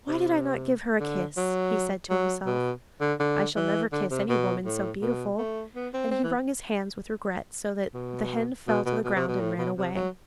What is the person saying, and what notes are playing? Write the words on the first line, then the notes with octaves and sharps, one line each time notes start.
'Why did I not give her a kiss?' he said to himself; 'I shall never kiss any woman so beautiful.' And he wrung his hands with regret, so that the hen fell to the ground and ran away.
C3
D3
F#3
F#3
B2
D3
D3
E3
D3
C3
B2
A2
B2
A3
B3
C4
C4
E3
B2
B2
B2
B2
C3
B2
A2
B2
C3
F#3